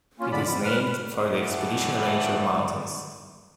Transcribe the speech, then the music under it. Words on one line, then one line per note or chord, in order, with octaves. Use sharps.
It is named for the Expedition Range of mountains.
A#3 C#4 F4
F2 D3 G#3 D5 B5
C3
B4 F6
D#3 E3 F#3 G3 A3 B3